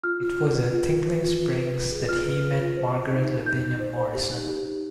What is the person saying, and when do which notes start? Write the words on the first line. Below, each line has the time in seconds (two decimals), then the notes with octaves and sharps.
It was at Tinkling Springs that he met Margaret Lavinia Morrison.
0.03 F4 F6
0.21 F4
0.38 F4
0.55 B4
0.72 F4
0.89 F4
1.06 B4
1.23 F4
1.41 F4
1.58 B4
1.75 B4
1.92 G#4
2.09 F4 F6
2.26 B4
2.44 B4
2.61 F4
2.77 C5
2.95 C5
3.12 D#4
3.29 C5
3.46 D#4 G6
3.63 D#4
3.80 C5
3.97 C5
4.14 G4
4.31 D#4
4.49 G4
4.65 D#4